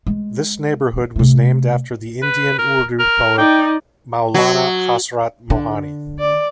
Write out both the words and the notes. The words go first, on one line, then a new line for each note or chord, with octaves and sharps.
This neighbourhood was named after the Indian Urdu poet Maulana Hasrat Mohani.
G#3
C3 A3
B4
A#4
A#4
D#4 D5 G5
F#3
D3
D5